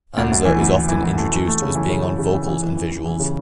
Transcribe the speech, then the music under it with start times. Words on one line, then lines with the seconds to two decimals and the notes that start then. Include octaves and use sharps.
Anza is often introduced as being on "vocals and visuals".
0.17 D2
0.31 D2
0.45 E3
0.61 D2
0.75 E3
0.89 E3
1.04 E3
1.17 A3
1.32 E3
1.47 A3
1.62 C#3
1.75 E3
1.90 C#3
2.05 E3
2.19 C#3
2.33 E3
2.48 E3
2.63 E3
2.77 E3
2.92 E3
3.06 E3
3.20 C#3